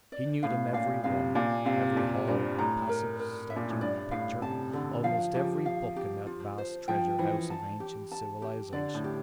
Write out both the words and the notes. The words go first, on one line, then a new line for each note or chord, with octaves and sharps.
He knew them every one, every hall, passage, statue, picture, almost every book in that vast treasure-house of ancient civilisation.
D5
A2 F5
A#2 F5
C3 F5
A#2 F5
C3 F5
A#2 G4
G2 C5
A2 A#5
A#4
A#4
E5
A#2
A2
G2 D5
A2 F5
C3 A5
D3 A4
F3 F5
F3 G4
F5
G4
F4
C5
F3 G5
E3 C5
A5
G4
A5
G4
D3 D5
A2
G4